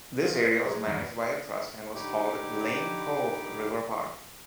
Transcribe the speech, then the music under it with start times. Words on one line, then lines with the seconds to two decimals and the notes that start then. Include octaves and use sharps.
This area was managed by a trust and was called Lane Cove River Park.
0.22 E4 F4 G#4
0.44 C5
0.64 F#3 G#3 D#4
0.87 E2 G2 D#3
1.95 D3 D#4 E4 G4 D6